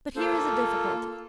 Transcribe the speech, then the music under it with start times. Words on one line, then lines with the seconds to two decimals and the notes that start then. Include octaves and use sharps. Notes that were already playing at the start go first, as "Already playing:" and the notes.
But here is a difficulty.
0.16 A#3 F4 A4 C5